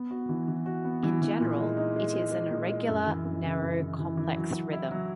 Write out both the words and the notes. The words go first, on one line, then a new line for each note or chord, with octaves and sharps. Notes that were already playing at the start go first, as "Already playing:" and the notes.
In general, it is an irregular, narrow complex rhythm.
Already playing: B3
F#4
E3
E3
F#4
B3
E3
E3
A#2
G#3
D#4
G#3
G#3
G#3
A#2
G#3
F#2
E3
F#2
C#3
F#2
E3
E3
E3
F#3
F#3
E4
F#3